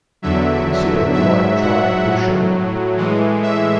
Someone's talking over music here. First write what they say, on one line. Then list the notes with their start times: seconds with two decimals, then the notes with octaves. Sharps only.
Consider the right triangle shown.
0.22 E2 D3 F#3 E5
1.13 G#2 F#3 E5
1.60 F#5
2.05 A2 F#3
2.97 A2 E3 G#3
3.43 E5